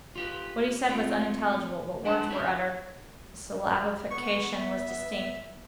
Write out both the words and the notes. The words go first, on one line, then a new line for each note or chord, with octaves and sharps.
What he said was unintelligible, but words were uttered; the syllabification was distinct.
F4 G4 B4
A3 C4 F4
G#3 D4 B4 F#5 A5
C#4 E4 G4 C5
B3 C#6
E5